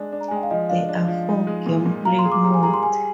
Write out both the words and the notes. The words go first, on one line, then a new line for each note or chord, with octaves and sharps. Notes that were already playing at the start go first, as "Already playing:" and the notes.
There are four gameplay modes.
Already playing: G#3 D4 D5
D4
A#5
G#5
G#3 G5
F5
F3 D#5
D4 F5
D4
F3
D#4
G#3
A#2
A#2
F4 A#5
C6
G#4
D6
G3 A#5
G#5
G#4 A#5
C6
G3 G#5